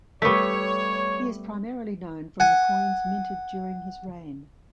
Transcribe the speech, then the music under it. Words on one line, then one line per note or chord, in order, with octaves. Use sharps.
He is primarily known from the coins minted during his reign.
G3 A3 B3 C#5 C#6 B6
F#5 G#5